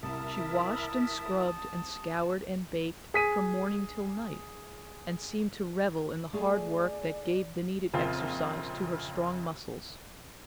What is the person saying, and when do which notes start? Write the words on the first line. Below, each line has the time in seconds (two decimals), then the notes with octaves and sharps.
She washed and scrubbed and scoured and baked from morning till night, and seemed to revel in the hard work that gave the needed exercise to her strong muscles.
0.03 C2 E4 A#4 E5 A5 D#6
3.14 G#4 B6 D#7
6.33 A3 G#4 D5 G#5
7.94 A#1 F2 C#3 C4 F4 A#4